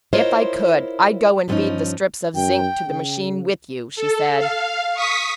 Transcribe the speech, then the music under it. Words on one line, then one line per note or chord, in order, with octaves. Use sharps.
"If I could, I'd go and feed the strips of zinc to the machine with you," she said.
E4 F4 A#4 C5 C#5 D#5
G2 F3 A3 B3 C#4 D#4
F#2 G5
C#3
A4
F5
C#6 D#6 B6